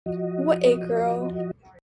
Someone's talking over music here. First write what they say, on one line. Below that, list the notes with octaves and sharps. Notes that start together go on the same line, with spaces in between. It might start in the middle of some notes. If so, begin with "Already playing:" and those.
What a Girl!
F3 F#4 D#5